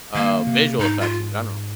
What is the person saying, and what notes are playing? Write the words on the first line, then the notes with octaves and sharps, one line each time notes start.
um, visual effects in general.
D#3 A#3
C3
G#2 D#4
F4